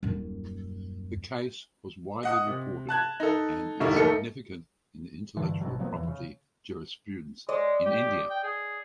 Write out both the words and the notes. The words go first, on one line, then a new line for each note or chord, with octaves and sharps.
The case was widely reported and is significant in intellectual property jurisprudence in India.
D#1 F#2
D#5 F#5 D#6
C3
A5 F#6 G#6
D#4 A4
E1 D3 G3 D#4 E4 C#6
D#2 D#3 A3 D#4 A4 C#7
G2 D3 E3
G#1 B2 F#3
F3 F#3 A#3 B3
E2 A#2 E3
C#3
G#3 D5 D#5
G4
G5
G#4